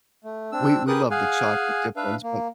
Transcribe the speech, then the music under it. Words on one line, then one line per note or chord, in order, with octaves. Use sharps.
We we loved the chocolate chip ones, but
A3
C4 D4 E6
G4 G#4 A#4 B4 D#6 F#6
G#4 F5 F#5 G#5
D4 B4 E5 F5
A#3